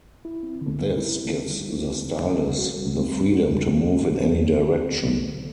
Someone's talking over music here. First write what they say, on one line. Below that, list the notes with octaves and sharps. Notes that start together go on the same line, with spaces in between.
This gives the stylus the freedom to move in any direction.
E4
C4
D3
G3
E4
C4
D3
G3
E4
C4
D3
G3
G3
F#4
G3
C4
G3
F#4
G3
C4
G3
F#4
G3
C4
D3
C4
D3
A3
D3